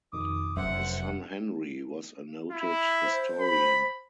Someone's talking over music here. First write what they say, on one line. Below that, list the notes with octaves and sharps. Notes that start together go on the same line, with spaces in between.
His son Henry was a noted historian.
F2 B2 D#3 D6 D#6
F1 F#2 C5 E5 F#5
E4
C5
B5